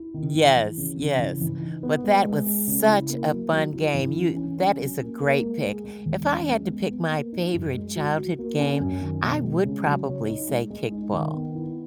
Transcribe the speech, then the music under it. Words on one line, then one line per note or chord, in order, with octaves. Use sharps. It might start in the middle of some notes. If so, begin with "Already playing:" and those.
Yes, yes. But that was such a fun game. You that is a great pick. If I had to pick my favorite childhood game, I would probably say kickball.
Already playing: E4
D#3
E3
E3
C#3
C#3
E3
E3
D#4
B3
G#3
G#3
G#3
C#3
E4
A#3
F#3
F#3
E4
E3
C#4
C#4
C#4
F#3
A#3
A#3
G#3
G#4
G#3
E2
C#4
G#3
B3
B3
A#3
D#4
F#2
G#3
F#4
F#4
A#3
C#4
F#2
D#3
B2
G#3
C#3
F#3
C#5
D#4
G#3
G#3
D#4
D#3
B3
E4